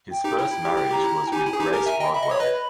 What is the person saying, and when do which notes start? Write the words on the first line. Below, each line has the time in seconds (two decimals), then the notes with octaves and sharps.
His first marriage was with Grace Rodwell.
0.11 G5
0.24 D#4 G4
0.38 E4
0.52 E4
0.65 G4
0.77 E4
0.91 G4 A#5
1.04 E4
1.28 G5
1.32 D#4 G4 G#5
1.46 E4
1.53 G#4 G#5
1.60 D#4 G4
1.73 G4 A#4 A#5
1.86 E5 G#5
2.00 D#5 G5
2.14 E5 B5
2.22 D#5
2.31 C#5
2.40 B4 D#5